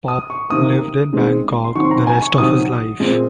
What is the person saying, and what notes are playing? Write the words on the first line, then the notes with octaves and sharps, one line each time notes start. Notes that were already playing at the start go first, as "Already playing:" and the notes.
Pop lived in Bangkok the rest of his life.
D#6
C#6
C3 D#3 A#3 D#6
D#3 G#3 C4
C6
D#3 F#3 C4 C#6
C6
A#5
G#5
C#6
C3 D#3 F#3 D#6
A#2 G#3 C4